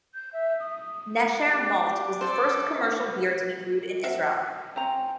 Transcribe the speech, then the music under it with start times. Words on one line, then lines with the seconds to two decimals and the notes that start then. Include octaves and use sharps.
Nesher Malt was the first commercial beer to be brewed in Israel.
0.14 G6
0.33 E5
0.60 D#6
1.49 D4 G4 D6
2.21 A4 C5 D5 G5
2.81 B3 F#4
4.03 F#4 E5 F#5
4.76 C4 C#4 A#5